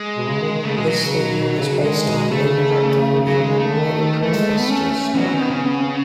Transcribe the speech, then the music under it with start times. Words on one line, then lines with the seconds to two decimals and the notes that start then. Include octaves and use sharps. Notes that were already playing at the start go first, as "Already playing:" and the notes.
This theory was based on indirect allusion in a later preface to this book.
Already playing: G#3
0.17 B2
0.28 C#3
0.41 D#3
0.52 D#3
0.65 C#3 A3
0.76 B2 G#3
0.88 B2 F#3
1.04 C#3
1.21 B2
1.36 B2
1.60 C#3
1.84 D#3 G#3
2.08 B2
2.31 C#3 A3
3.27 F#3
3.43 G#3
3.59 A3
3.75 D#3
4.23 E3 A3
4.35 G#3
4.47 G#3
4.58 B3
4.70 C#4
5.14 E3
5.18 F#3 B3
5.30 D#3 C#4
5.42 B3
5.50 C#3 C#4
5.66 B3
5.82 C#4